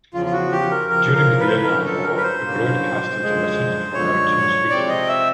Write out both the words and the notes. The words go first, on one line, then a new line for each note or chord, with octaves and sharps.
During the Vietnam War it broadcast intermittently from a mountainous region.
E2 C#3 F3 F4
F4
F#4
G4
A#4
E2 C#3 F3 A#4
A#4
B4
C5
B4
G2 D3 F#3 A#3 C#4 A#4
A4
A#4
B4
C5
G2 D3 F#3 A#3 C#4
F#2 D3 F3 G#3
F#2 D3 F3 G#3 C#5
C3 F3 G#3 C4 D5
D#5
E5